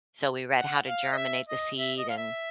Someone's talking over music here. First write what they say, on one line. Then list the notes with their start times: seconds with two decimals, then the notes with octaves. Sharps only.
So, we read how to germinate the seed and
0.57 F#5
0.88 F5
1.13 D#5
1.17 E5
1.48 D#5
1.79 E5
1.98 D#5
2.09 F5
2.17 E5